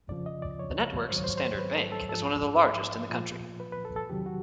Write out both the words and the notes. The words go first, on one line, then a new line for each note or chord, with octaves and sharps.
The network's Standard Bank is one of the largest in the country.
F2 C#3 F3 D5
D#5
D5
C#5
G#2 D#3 F#3 C5
C#5
C5
C#5
C5
B4
A4
A4
G#2 F3 A4
A#2 F3
B4
B4
A4
A4
E2 C3 D#3 F#3 G4
F#4